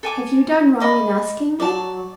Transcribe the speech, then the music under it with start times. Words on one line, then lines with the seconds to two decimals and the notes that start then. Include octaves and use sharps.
Have you done wrong in asking me?
0.03 A4 G#5 D6
0.80 D5 D#5 B5
1.60 F#3 D5 A5